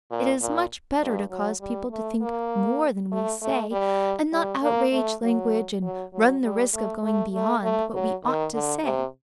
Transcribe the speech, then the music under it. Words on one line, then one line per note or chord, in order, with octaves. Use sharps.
It is much better to cause people to think more than we say, and not outrage language, and run the risk of going beyond what we ought to say.
A#2
A#2
G2
F#3
G3
A3
A#3
A3
A3
G3
G3
A#3
A3
F#3
F#3
F#3
G3
A3
A3
A3
A3
F#3
D#3
D3
C3